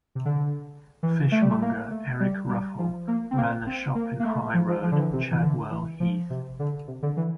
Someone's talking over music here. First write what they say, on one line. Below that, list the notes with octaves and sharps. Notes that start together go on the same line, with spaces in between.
Fishmonger Eric Ruffell ran a shop in High Road, Chadwell Heath.
C3
D3
E3
A3
G3
A3
A#3
A3
G3
G3
F3
A#3
C4
A#3
C4
A#3
A#3
A3
F3
F3
F3
D3
E3
C3
E3
D3
E3
F3
C3
D3
C3
D3
E3